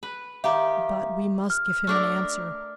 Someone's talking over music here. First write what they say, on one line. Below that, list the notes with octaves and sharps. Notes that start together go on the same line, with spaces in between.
"But we must give him an answer."
B4
D#3 G4 E5 F5 A#5
F6
A3 D4 A#4